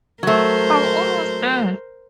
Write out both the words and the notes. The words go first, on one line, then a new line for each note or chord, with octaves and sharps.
I'm almost there.
F#3 A3 A#4 C5